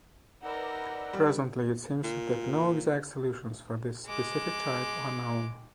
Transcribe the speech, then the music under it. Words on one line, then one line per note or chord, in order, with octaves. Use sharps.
Presently, it seems that no exact solutions for this specific type are known.
D#4 A#4 B4 D5 F#5 E6
G3
A#2
G#3 D6